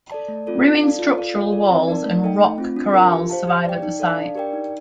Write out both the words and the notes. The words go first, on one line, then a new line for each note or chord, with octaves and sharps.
Ruined structural walls and rock corrals survive at the site.
A4 D5 A5
A3
C4 F4 A4 D5
D#4
A4 D5 F5 A5
F4
A4 D5 F5
F4
A4 D5
C4
D#4 A#4 D5 A5
A3
D#4 A4 D#5 G5
A3
C4 F4
D4
F4 A#4
G4
C5 F5 A5
G4
D5 G5
D#4
A4 D5 F5 A5
D4
G4 A#4 D5 G5
D#4